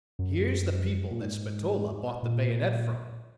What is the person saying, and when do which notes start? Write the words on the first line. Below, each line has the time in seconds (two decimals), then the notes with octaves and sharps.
Here's the people that Spatola bought the bayonet from.
0.19 F#2
1.11 A#2
1.21 G#2
2.23 A#2